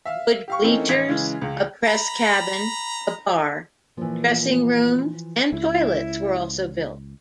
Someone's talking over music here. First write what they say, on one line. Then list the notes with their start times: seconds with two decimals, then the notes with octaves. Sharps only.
Wood bleachers, a press cabin, a bar, dressing-rooms and toilets were also built.
0.05 E5 F5
0.48 G4 F5 C#6
0.62 E3 A3 A#3 C4 C#4 D#4
0.89 A1 D#4 G#6 B6 F7
1.09 C#3 E3 G#3
1.41 C#2
1.85 A#5 B5
3.97 A#2 E3 F3
5.52 C#2 E4